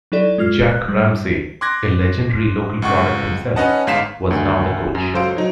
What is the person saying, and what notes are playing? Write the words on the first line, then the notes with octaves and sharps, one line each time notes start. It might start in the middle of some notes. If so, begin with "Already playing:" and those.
Jack Ramsay, a legendary local product himself, was now the coach.
F#3 D#4 E4 A4 D5
G#3 F4 F6 C7
F#6
G3
C6 D6 F#6 G#6 A#6
C#2 F#5 C#6
C#4 D#4 B4 D#5 F#5 A5
G1 G#2 F5 B6 E7
D2 D#3
F#2
C#2 F#3 A4 C5 F5 D7
F#3 D#4